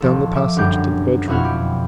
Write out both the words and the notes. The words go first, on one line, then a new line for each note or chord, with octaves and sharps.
Down the passage to the bedroom.
D#1 F3 A4
E5 D6
G1 F#2 D3 G3 G4 G6
F2 B2 E4 F#4 F6
G4